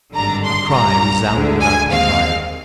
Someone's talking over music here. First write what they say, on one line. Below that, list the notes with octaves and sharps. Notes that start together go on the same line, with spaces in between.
A cry resounded about the pyre.
G#1 G2 D3 G3 D4 A#5
C6
C2 A#2 G3 A#5
D2 D3 G#3
G#5
D#2 D#3 G#3 C4 F5